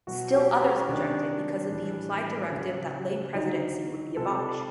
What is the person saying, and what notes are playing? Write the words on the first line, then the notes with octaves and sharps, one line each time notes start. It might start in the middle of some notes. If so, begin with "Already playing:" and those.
Still others objected because of the implied directive that lay presidency would be abolished.
B2 F#3 F#4
G4
C#4
C3 D#3 G#3 D4
A2 E3 G3
C#3 F#3
D3 F#3 D#4
C3 F3 G#3 A4